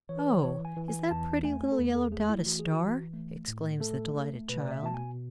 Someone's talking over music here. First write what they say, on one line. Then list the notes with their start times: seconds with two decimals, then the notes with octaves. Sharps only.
"Oh! is that pretty little yellow dot a star?" exclaims the delighted child.
0.09 E3 C#5
0.18 B4
0.30 C#5
0.43 E3 C#5
0.65 G#5
0.77 E3
0.88 G#5
1.11 E2 A5
1.44 A3 G#5
1.72 A4
1.78 E2 B4
1.95 A4
2.12 A3 G#4
2.29 E4
2.46 E3 F#4
2.59 G#4
2.72 F#4
2.80 E3
3.14 A3
3.48 A2
3.80 A3 A4
4.15 A3
4.49 B2 B4
4.60 D5
4.72 E5
4.83 B2 A5
4.94 G#5